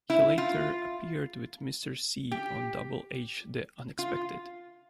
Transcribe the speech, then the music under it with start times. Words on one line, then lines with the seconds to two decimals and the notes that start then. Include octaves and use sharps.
He later appeared with Mr. Cee on "Double H: The Unexpected".
0.10 E4
0.38 F4
2.32 G4
3.99 F4